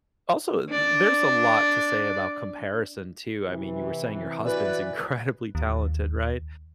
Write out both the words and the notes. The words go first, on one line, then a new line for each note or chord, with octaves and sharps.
also, th there's a lot to say about comparison, too, I mean, you were saying your husband's incredibly talented, right?
D4 D5
C3 E3
E3 F#4 B4 D5
D#2